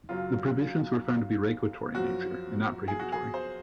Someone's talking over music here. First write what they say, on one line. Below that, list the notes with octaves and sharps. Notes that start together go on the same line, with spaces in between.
The provisions were found to be regulatory in nature and not prohibitory.
F#2 C#3 F#3 F4
F#2 F3 F#4
G#4
F#4
G#4
C5